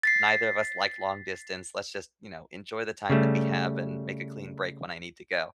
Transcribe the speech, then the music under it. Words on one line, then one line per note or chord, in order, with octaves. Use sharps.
Neither of us like long distance. Let's just, you know, enjoy the time that we have and make a clean break when I need to go,"
A6 B6 C7
C#3 G3 A3